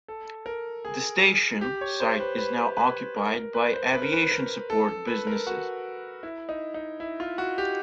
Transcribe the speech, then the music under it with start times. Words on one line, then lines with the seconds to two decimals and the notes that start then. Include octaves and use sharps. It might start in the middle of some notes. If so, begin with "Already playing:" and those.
The station site is now occupied by aviation support businesses.
0.08 A4
0.46 A#4
0.85 G#4
1.61 G4
1.81 C#5
2.00 C5
2.20 B4
2.38 B4
2.77 B4
3.16 A#4
3.35 A#4
3.54 B4
3.74 C5
3.92 B4
4.02 A#4
4.13 B4
4.31 A#4
4.70 A4
4.88 A4
5.07 B4
5.27 A#4
5.47 F#4
6.23 E4
6.49 D#4
6.74 D#4
7.00 E4
7.20 F4
7.38 F#4
7.58 G4